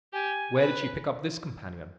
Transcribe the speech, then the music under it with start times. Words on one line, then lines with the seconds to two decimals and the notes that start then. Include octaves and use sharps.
Where did she pick up this companion?
0.13 G4 G#5
0.57 B4